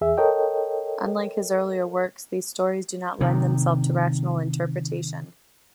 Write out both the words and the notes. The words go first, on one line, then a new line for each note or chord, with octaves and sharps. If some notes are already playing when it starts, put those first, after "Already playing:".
Unlike his earlier works, these stories do not lend themselves to rational interpretation.
E2 G#4 E5
A4 A#4 C#5 D#5 G5
C3 D#3